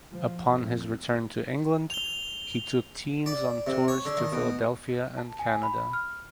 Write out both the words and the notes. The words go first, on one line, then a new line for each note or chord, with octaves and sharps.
Upon his return to England he took teams on tours to Philadelphia and Canada.
F3
F2
F7 G7
D5
C3
C#5
D3
D#3
B2
A5
G#5
B5
F6